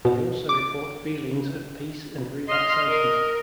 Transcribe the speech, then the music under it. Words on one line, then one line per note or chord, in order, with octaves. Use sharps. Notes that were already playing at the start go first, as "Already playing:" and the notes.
They also report feelings of peace and relaxation.
B2
D6
D#5 C6 F6
A#4